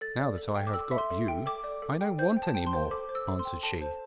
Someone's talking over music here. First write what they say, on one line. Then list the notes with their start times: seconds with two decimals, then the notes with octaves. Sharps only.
'Now that I have got you, I don't want any more,' answered she.
0.01 A4 A6
0.19 D5
0.38 A4
0.56 G5
0.67 D6
0.73 A4 E6
0.91 E5
0.98 C6
1.11 A4
1.28 G5
1.46 A4 D6
1.64 D5
1.82 A4
2.01 G5
2.18 C5 G6
2.37 G5
2.43 A5
2.55 G5
2.67 C6
2.73 C5
2.91 A4 D6
3.09 C5
3.15 E6
3.27 A4
3.39 C6
3.45 G5
3.63 A4 A5
3.81 C5